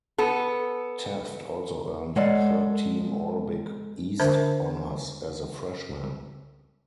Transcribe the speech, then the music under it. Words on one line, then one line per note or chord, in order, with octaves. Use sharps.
Taft also earned Third Team All Big East Honors as a Freshman.
B3 A4
G#3 A4 C#5 D5 F#5
D3 D4 A#4 C5 E5